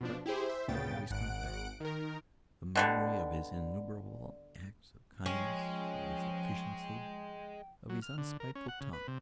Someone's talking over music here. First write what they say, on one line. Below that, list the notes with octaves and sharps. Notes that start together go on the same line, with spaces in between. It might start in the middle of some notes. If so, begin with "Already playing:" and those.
But it always comes back--the memory of his innumerable acts of kindness, of his efficiency, of his unspiteful tongue.
B2 F3 D4
E4 G4 G#4 C5
C5 E5
D2 A#2 C#3 B3 G5 A6
G#1 F#5 F#6 D7
D#3 A#4
B2 D3 G3
F3 G#3 C#4 G5
F#3
F6
D3
A#4
C#4
F#5
C#3
B4
C3